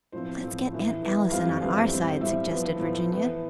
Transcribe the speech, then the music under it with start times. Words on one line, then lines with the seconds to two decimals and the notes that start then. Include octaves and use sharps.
"Let's get Aunt Allison on our side," suggested Virginia.
0.12 A2 F3 C4 C5
0.43 A2 F3 C4
0.72 A2 E3 B3
1.02 A2 E3 B3
1.31 F2 E3 G3 C4 F5
1.61 F2 E3 G3 C4 F5
1.91 A2 G3 C4
2.21 A2 G3 C4 E5
2.50 A2 F3 B3
2.79 A2 F3 B3
3.09 A2 E3 B3